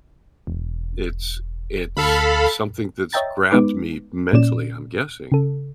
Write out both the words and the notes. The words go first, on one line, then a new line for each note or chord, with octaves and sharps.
it's it's something that's grabbed me mentally, I'm guessing.
E1
D2 A4 F5 B5
C#5 D#5 E5 G5 A#5 A6
G#3 B3 D#4 B4 D6
A#2 C#4 D5 E7
C#3 A4